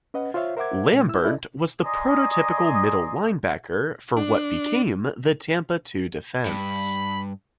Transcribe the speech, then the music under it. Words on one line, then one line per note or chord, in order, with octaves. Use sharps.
Lambert was the prototypical middle linebacker for what became the Tampa Two defense.
C#4 B4 D#5 F#5
F4 C5 C#5 E5 F5
A#4 C5 E5 F#5 D6 G#6
A#2 G#3
E4 E6
E4 A4 D5 D#5
D5 D#5 G#5 A#5 C6 D#6
D4
G2 B5